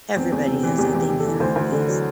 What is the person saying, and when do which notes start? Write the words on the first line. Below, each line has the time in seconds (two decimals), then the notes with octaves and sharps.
Everybody has, I think, in their own ways.
0.16 E2 C4
0.32 E2
0.47 C3
0.63 E3
0.78 E2 G4
0.95 E2 G4
1.10 C3
1.20 A4
1.25 E3
1.40 D2 C5
1.56 D2
1.72 D3
1.88 F#3